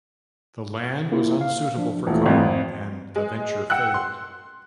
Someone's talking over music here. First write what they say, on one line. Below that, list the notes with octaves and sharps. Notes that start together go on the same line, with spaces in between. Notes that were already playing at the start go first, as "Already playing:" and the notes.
The land was unsuitable for cotton, and the venture failed.
A#3 E4 F4
F5
F3 D4
D#1 E3 A3
G#1 F2
G#3
F#5 G5 E6 F#6
C6